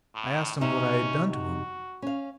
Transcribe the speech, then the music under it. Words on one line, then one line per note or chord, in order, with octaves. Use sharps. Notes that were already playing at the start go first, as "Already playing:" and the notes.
I asked him what I had done to him.
A2
C3 C#4 D#4 E5
F#4
C#4 F5